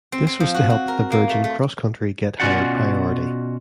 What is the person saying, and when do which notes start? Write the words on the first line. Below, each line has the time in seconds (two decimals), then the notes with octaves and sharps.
This was to help the Virgin CrossCountry get higher priority.
0.12 C4
0.27 C4
0.40 F3
0.54 F#4
0.70 F#4
0.88 A#4
1.12 A#3
1.29 A3
1.44 A3
2.40 B2 C#4 F4 F#4 D5 F#5